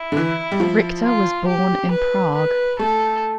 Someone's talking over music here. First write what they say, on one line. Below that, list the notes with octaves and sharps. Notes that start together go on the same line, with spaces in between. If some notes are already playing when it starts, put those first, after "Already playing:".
Richta was born in Prague.
Already playing: E4
D3
E3
G3
F3
F4
G4
B4
B4
A3 A4